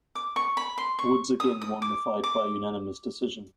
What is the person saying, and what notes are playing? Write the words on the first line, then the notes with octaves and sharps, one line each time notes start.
Woods again won the fight by unanimous decision.
D6
C#6
B5
C6
C#6
D#6
D#6
D6
D6